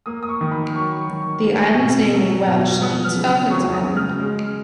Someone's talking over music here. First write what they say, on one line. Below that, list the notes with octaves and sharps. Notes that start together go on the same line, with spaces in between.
The island's name in Welsh means "falcon's Island".
A#3 D#6
D#6
C#6
D#3
B5
F#3 C#6
D#3
A#3
B2
F#3
B2
B3 D#6
F6
C#3
D#6
F#3 C#6
D#6
C#3
F6
G#3